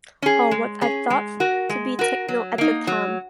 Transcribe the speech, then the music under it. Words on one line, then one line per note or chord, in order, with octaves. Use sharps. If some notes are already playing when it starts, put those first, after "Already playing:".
Or what I thought to be techno at the time.
C#4 G#4
G#3
C#4 G#4
G#3
F#4 A#4
G#3
F#4 A#4
F#3
A#3 D#4
F#3